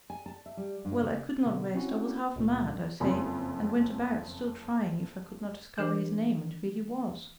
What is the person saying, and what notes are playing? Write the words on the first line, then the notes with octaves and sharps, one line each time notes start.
Well, I could not rest; I was half mad, I say, and went about, still trying if I could not discover his name and who he was.
G#5
A5
E5
G3
G2
C#3
B2 D3 B3
C4 C#4 E4 F#4
C#2 A#2 G#3
F#1 F2 C6
E3 D4 A#4 C5 D6